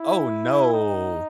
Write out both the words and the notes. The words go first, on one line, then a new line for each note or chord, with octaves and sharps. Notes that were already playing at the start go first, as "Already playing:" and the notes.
Oh, no.
Already playing: E4
D#4